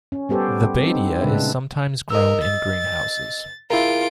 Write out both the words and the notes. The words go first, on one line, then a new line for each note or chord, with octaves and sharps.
The badea is sometimes grown in greenhouses.
C#4
G3 B3 G4 A4 C5
B3 C4 D#4
A#2 C#3 G#3 D4 B4 E5
A#4 D#5 E6
A6
E4 F4 G#4 A#4 D7